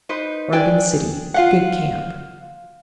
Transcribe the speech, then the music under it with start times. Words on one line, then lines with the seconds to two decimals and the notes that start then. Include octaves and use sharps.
Oregon City.--Good camp.
0.09 D#4 B4 C5
0.52 D4 G#4 D5 G5
1.34 F4 F5 F#5